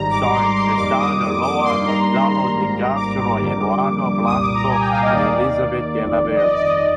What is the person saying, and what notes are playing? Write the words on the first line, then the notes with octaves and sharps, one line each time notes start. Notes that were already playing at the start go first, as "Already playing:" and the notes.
Starring Tristán Ulloa, Gonzalo de Castro, Eduardo Blanco and Elisabet Gelabert.
Already playing: G#1 G#2 D#3 G3 A#5
D6
C6
C6
F2 D#3 G3 A#3 D6
D#6
D6
D6
G2 D#3 G3 A#3 C6
A#5
G#1 G#2 G3 A#3
D6
F2 D3 G3 A#3
C2 A#2 G3 A#3 D#6
D6
A#5
G#5
G5
F5
D#5
D#2 D#3 A#3 D5
G1 F2 D#3
D#5
D5
D5
D#5
D#5